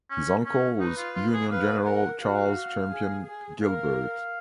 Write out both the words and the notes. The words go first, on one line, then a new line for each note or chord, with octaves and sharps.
His uncle was Union General Charles Champion Gilbert.
C#4
C#4
D#4 B4
F4
F4
G#4
B4 F5
A#4 F#5
F#4 F5
G#4
G#4
A#4 F5